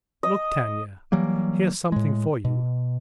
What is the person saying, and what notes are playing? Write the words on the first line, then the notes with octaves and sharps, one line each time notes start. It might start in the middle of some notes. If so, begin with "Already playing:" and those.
Look, Tanya, here's something for you!
D#5
E3 F#3 G3 A#3
A2 G#3
B2